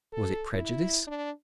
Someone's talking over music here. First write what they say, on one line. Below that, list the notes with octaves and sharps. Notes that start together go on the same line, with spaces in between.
Was it prejudice?
A4
E4
D4